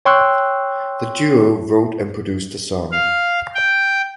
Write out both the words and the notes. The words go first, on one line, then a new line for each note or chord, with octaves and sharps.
The duo wrote and produced the song.
C#5 G5 C6 C#6 E6 F#6
F5
G5